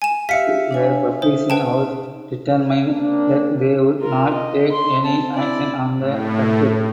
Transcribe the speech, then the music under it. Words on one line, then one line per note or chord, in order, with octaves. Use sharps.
The publishing house determined that they would not take any action on the subject.
G#5 E7
G4 E5 F5 B6 C#7
D4 C#5 G#5
D#4 C5
B4 G5 A5
A#3 C4 D4
F4 A#4
D#5
C6
C4 A5
E4 D5
A2